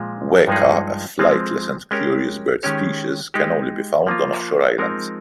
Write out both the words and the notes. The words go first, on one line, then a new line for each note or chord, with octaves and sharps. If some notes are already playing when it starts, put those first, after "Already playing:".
Weka, a flightless and curious bird species, can only be found on offshore islands.
Already playing: A#2 F3 G#3
G2 F3 G#3 D#4 G#4
F3 G#3 C4
G#3 C#4 G4 A#4 C#5
D#3 G#3 C#4 G4 C#5
G#3 D#4 G4
F3 A#3 F4
F3 G#3 C4 D#4 A#4